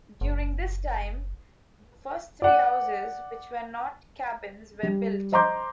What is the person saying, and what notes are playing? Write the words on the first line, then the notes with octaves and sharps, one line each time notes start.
During this time, the first three houses which were not cabins were built.
F#1
D5 F#5
G3
C5 D#5 A#5 C6 D6 G6